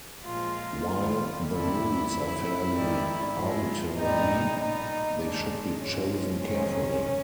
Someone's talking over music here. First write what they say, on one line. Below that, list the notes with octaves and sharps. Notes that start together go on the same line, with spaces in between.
While the rules are fairly arbitrary, they should be chosen carefully.
A#2 F3 G#3 F4
D#2 D#3 G3 F4
D2 C#3 E3 G3 E4
F2 C#3 F#3
G#2 D#3 G3
G#2 F3 G#3
A2 E3 G3 D#4
A#2 G3 D#4
G#2 D#3 G#3 D4
G#2 F3 G#3 C#4
F2 C3 D#3 G#3 C#4